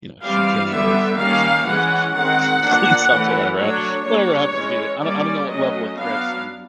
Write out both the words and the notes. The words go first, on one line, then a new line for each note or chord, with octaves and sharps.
you know, she can't eat any food or something until she cl cleans up or whatever, uh, whatever happens to be I don't I don't know what level of threats you
E3 G3 C4 F5
D3 G3 B3 E5
D#3 G3 A#3 C#4 F5
E3 G#3 C#4 F#5
D#3 G#3 C4 F#5
D3 F3 A#3 D4
E3 A3 C#4
F#3 A3 D4 C#5
G3 A#3 D4 C#5
E3 G#3 C#4
G3 A#3 C#4 D5
F#3 A3 C#4 D#5
F#3 B3 D4 F5